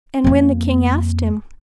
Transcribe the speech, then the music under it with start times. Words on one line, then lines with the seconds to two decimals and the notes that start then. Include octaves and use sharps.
And when the king asked him.
0.24 F2 A#3